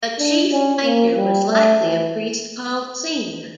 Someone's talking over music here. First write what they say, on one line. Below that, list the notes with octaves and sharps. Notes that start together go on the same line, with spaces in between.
The chief painter was likely a priest called Senior.
D4
C#4
A#3
G3
A3
E3